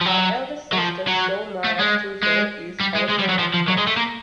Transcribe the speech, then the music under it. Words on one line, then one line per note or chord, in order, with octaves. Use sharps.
Her elder sister Soe Myat Thuzar is also an actress.
F3
F#3
F#3
F3
F#3
A3
G#3
G#3
G3
G#3
G#3
G3
F#3
F3
F3
F#3
G#3
A3
A#3